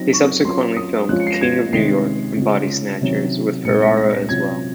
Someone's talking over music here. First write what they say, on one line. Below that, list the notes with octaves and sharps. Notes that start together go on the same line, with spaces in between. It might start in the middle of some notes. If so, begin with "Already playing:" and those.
He subsequently filmed "King of New York" and "Body Snatchers" with Ferrara as well.
Already playing: F#3 C4 D#4 A#6
C#6
F#3 C#4 F4 C6
D#6
F3 G#3 C#4 F4 F#6
C#7
C7
A#6
G#6
C3 D#3 G#3 C#4 C7
C#3 G#3 C#4 F4
C3 D#3 F#3 C#4
A#2 G#3 C4 D#4 C#7
C#7
A#6
A#6
C3 F#3 C#4 F4 G#6